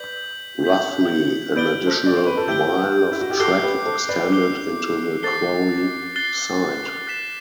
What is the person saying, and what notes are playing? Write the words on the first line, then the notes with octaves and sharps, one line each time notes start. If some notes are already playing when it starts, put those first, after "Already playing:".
Roughly an additional mile of track extended into the quarry site.
Already playing: B4 D5 G6 B6 F#7
G6 B6 F#7
B4 D5 G6 D7 G7
A4 C5
D5
C5
B4
A4
E4 G4 G6 D7 G7
E4
F#4
G4
F#4 A4 D6 F#6 C7 G7
G4 B4
A4 C5
B4 D5
D6 F#6 C7 G7
A4 C5 F#6 A6 C7 G7
F#6 A6 C7 G7
F#6 B6 E7